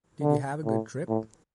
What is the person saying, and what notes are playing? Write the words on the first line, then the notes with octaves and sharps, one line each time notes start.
Did you have a good trip?
D3
A2
A2